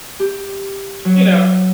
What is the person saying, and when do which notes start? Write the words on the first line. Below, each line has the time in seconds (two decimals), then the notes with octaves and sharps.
you know?
0.20 G4
1.05 F#3